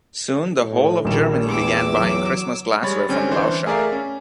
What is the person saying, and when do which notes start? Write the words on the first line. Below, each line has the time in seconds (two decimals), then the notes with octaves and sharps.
Soon, the whole of Germany began buying Christmas glassware from Lauscha.
0.62 A2
1.05 A#1 D#3 G3 E7
1.48 E2 D6 E6
2.00 F#3
2.83 G3 G#3 C#5 B5 A6
3.09 D3 G3 C4 C#4
3.31 E3 D4 C5 G6
3.66 A3 G#4 A#4 D5 E5 F5
3.92 C#4